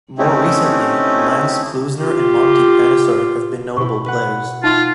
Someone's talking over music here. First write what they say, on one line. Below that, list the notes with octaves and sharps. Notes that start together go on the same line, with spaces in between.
More recently, Lance Klusener and Monty Panesar have been notable players.
A3 C4 C#4 D#4 E4 G4
F4 G4
B2 E4 C#6
B4 F#5
D#4 F4 E5 C6